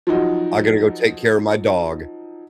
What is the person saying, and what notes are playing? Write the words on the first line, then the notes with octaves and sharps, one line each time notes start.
I gotta go take care of my dog
F3 F#3 D#4 F#4